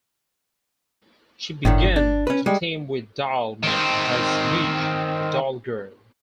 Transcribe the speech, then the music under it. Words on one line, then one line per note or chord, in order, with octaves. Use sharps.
She began to team with Doll Man as Midge, the Doll Girl.
G1 A2 D3 D#3
D4
C#4 B4
G3 G#3
D#3 C4